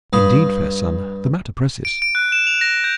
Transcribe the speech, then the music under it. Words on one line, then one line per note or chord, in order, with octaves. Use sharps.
"Indeed, fair son, the matter presses."
G2 F5 B5 D#6
D7
D7
F#6
E7
F7
A#6
G6